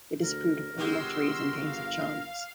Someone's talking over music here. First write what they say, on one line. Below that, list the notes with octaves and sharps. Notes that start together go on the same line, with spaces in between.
They disapproved of all lotteries and games of chance.
D2 A#4
G1 F#3 G#3 G4 C6 E6
F5